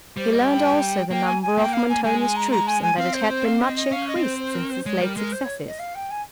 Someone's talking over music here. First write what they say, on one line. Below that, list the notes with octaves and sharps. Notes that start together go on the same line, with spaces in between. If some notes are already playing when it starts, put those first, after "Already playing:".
He learned also the number of Montoni's troops, and that it had been much increased, since his late successes.
G3 C5
D#5
G5
A#3 G5
G#5
G#5
A#3 G5
F5
G#5
G#3 G#5
G#5
A#5
A#5
G#5
G#5
C4 F5
C5
C5
F5
D#5
D#5
C#4 F5
D#5
C4
C5
C5
A#4
C5
G#3 C#5
G3 A#4
G#3 A#4
C5
C#5
D#5
F5
G5
G#5